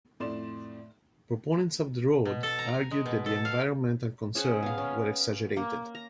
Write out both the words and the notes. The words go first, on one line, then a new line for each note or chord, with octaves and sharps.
Proponents of the road argued that the environmental concerns were exaggerated.
F2 A2 A3 D5 C6 E7
B2
A4
A#5
G#5
G#3
B2
A4
F5
C#4 G#4 C5 F#5
B3 F5
C#4
A#3
A#5